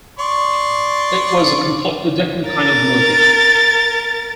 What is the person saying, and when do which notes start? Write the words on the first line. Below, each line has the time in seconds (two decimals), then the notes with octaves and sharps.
It was a completely different kind of movie.
0.19 D5 C6 C#6
2.49 A#4 A6